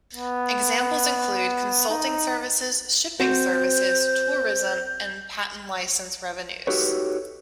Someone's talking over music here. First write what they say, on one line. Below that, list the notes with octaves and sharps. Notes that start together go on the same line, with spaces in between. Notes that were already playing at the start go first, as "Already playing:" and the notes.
Examples include consulting services, shipping services, tourism, and patent license revenues.
B3
D#4
C4 F#4 C5 G6
D#4 F#4 G4 A4 B4 C#5